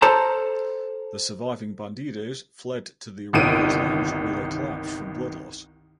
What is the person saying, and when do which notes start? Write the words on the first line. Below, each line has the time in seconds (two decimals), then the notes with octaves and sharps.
The surviving Bandidos fled to the arrivals lounge where they collapsed from blood loss.
0.02 A4 C5 A5 A#5
3.33 G1 C2 D#3 D7 D#7